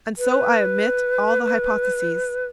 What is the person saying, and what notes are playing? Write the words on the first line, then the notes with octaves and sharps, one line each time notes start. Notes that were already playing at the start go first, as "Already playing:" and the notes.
And so I omit all the hypotheses.
B4